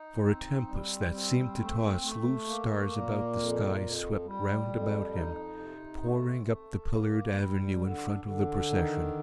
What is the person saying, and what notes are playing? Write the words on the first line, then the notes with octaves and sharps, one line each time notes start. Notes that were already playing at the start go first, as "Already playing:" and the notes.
For a tempest that seemed to toss loose stars about the sky swept round about him, pouring up the pillared avenue in front of the procession.
Already playing: D#4
C4
G3
C4
A3
A3
A#3
A#2
F2
F2
G3
F2
D#4
C3
A3
A3
A#3
G3
D3
D3
D#3